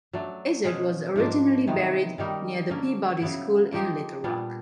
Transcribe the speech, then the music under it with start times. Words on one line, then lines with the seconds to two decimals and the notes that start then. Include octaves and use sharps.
Izard was originally buried near the Peabody School in Little Rock.
0.13 F#3 A3 D4
0.65 B2 G#3 C#4
1.16 G#2 F3 A#3 D4
1.67 C3 D#3 F#3 B3
2.18 D#3 G3 A#3 D#4
2.70 D3 F#3 A#3 C#4
3.22 C#3 F#3 B3 E4
3.72 F3 A#3 D#4 G4
4.24 A#2 G3 B3 D4